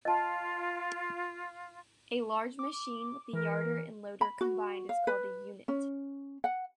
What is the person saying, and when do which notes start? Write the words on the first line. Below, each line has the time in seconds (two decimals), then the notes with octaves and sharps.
A large machine with a yarder and loader combined is called a unit.
0.05 F4 D#5 A5
2.59 D6
3.33 E3 A#4
4.21 B5
4.41 F#4
4.89 F5
5.07 B4
5.68 C#4
6.44 F#5